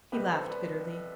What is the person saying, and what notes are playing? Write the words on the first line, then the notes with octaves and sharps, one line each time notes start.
He laughed bitterly.
C2 B2 G3 G4 B4
A4 C5
B4 D5